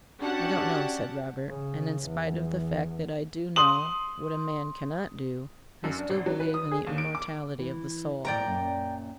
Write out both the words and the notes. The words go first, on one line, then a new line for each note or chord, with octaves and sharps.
"I don't know," said Robert; "and in spite of the fact that I do know what a man CANNOT do, I still believe in the immortality of the soul."
C#4 D4 F#4 G4 F#5 A5
C#3
E2
C6 D#6 F#7
F#2
D4
G#1
F#3
B4
D#6
G#4
D#2
D7
D6
E3
A2 C4 C5 D5 G5 A#5
F#2 A#2